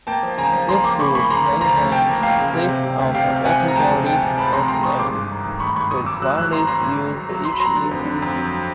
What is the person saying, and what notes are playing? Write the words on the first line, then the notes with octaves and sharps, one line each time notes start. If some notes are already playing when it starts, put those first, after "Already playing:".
This group maintains six alphabetical lists of names, with one list used each year.
A#3 G5 A5
F3
C#3 G#5 A#5
F3
F3 A#5 C6
A#3 C6 D6
C#3 B5 C#6
A#3 B5 C#6
C#3 A#5 C6
D2
F3 A#5 C6
D2
D2 G5 A5
A#3
A#3 F5 G5
C#3
C3
C3
C3
D2
C3 F5 G5
C3
C3 F#5 G#5
F3
A#5
G#3 G5 A5
C3
D2 G5 A5
C3
F3 A5 B5
C3 A#5 C6
D2 A#5 C6
G#3 C#6 D#6
G#1 C6 D6
G2
D#3
D#3
G#1 B5 C#6
G#1 B5 C#6
F#3 C#6 D#6
F#3 D6 E6
F#3 E6 F#6
G#1 E6 F#6
G#1 A#5 C6
G#1 A#5 C6
G#1
G#1
F#3
F#3
F#3 C6
B5
F#3 A#5 C6
D3
F2
D3
F2
F#3